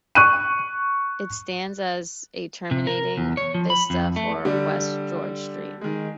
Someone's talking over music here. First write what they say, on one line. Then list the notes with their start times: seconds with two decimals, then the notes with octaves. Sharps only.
It stands as a terminating vista for West George Street.
0.15 C#6 F#6 D#7
2.71 C3
2.87 A#4
3.18 E2
3.37 C#5
3.54 F3
3.70 B5
3.90 F2
4.16 A3
4.45 D3 G3 D4
5.81 D#3 G#3